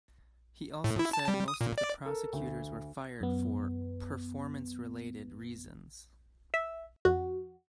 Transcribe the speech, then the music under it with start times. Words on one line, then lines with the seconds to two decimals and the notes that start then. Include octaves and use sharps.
He also said most of the prosecutors were fired for "performance-related" reasons.
0.84 A2
0.99 E4
1.13 A5
1.28 G3
1.48 D#6
1.61 A#2
1.78 D5
2.05 A4 A#4
2.33 D2
3.21 F#2 B3
6.54 E5
7.05 F2 F#4